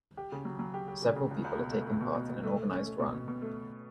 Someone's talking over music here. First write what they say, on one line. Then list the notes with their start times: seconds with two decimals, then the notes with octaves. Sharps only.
Several people are taking part in an organized run.
0.17 G4
0.32 C#3
0.45 F#3
0.59 F#3
0.74 G4
0.88 G4
1.02 C#3
1.16 C#3
1.31 C#2
1.44 C#2
1.58 B2
1.72 A3
1.87 A3
2.00 B2
2.15 B2
2.29 B2
2.43 A3
2.57 A3
2.72 C#4
2.85 A3
3.00 B2
3.14 B2
3.28 B2
3.42 A3